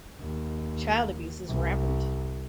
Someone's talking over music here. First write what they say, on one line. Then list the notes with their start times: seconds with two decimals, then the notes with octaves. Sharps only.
Child abuse is rampant.
0.20 D#2
1.48 C2